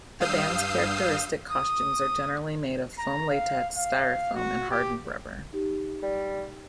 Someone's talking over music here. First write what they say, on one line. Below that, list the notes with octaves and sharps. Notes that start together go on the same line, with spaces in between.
The band's characteristic costumes are generally made of foam latex, styrofoam, and hardened rubber.
G2 F5 D#6 E6 G6 C7
D#6
A#5
F5
F5
F#4
G4
D#4 G4
G3 D5